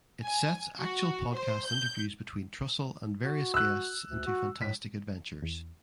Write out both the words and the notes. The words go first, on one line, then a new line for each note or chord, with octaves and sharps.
It sets actual podcast interviews between Trussell and various guests into fantastic adventures.
G#5
F#4
C5
G6
F#4
E6 F#6
D2
F#4
A2 B6
E2